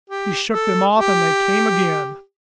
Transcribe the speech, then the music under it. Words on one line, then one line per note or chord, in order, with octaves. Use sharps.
He shook them off--and they came again.
G4
A4
G4